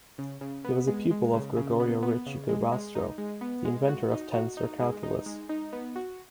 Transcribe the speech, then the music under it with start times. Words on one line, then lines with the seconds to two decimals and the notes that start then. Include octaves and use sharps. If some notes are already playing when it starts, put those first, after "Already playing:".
He was a pupil of Gregorio Ricci-Curbastro, the inventor of tensor calculus.
0.18 C#3
0.41 C#3
0.65 B3
0.87 G#3
1.11 G#3
1.34 C#3
1.57 C#3
1.80 B3
2.03 B3
2.26 C#3
2.49 G#3
2.72 G#3
2.95 D#4
3.18 G#3
3.41 B3
3.65 G#3
3.88 F#4
4.11 D#4
4.34 F#4
4.57 D#4
4.80 G#3
5.03 D#4
5.26 G#3
5.49 D#4
5.73 B3
5.96 F#4